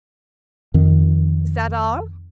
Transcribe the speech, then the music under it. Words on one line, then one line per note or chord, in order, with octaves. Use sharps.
"Is that all?"
F2 D#3